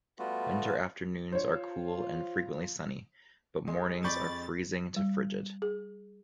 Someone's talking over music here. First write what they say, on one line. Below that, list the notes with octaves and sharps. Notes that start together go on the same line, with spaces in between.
Winter afternoons are cool and frequently sunny, but mornings are freezing to frigid.
G3 A3 B3 F4 F#4
F4 C5 C#5
G#3
F2 D5 B5 C#6 G6 A6
G3
G#4